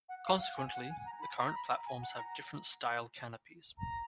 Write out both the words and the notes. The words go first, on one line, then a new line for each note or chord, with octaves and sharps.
Consequently, the current platforms have different style canopies.
F#5
F5
F#5
G#5
F#5
G#5
A#5
B5
A#5
B5
A#5
G#5
F#5
A#5
A#5